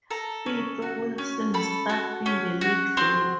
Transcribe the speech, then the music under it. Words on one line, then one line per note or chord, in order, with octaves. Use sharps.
Tito Wilson stars in the lead role.
A4 A#5
C#4
F#4
C#4
A4 B5
F#4
C#4
F#4
C4 C6